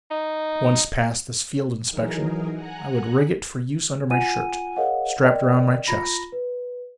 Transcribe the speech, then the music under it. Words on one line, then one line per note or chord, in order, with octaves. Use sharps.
Once past this field inspection I would rig it for use under my shirt, strapped around my chest.
D#4
E3 F#3 D#4 G#4 A#4
F#5 G#5 A#5 F#6
F4 F#5 G#5 D#7
G#4 A#4 C#5 D#5 F5 F#5
A#4 D5 D#5 G5
F4 A#5 B5 A#6
B4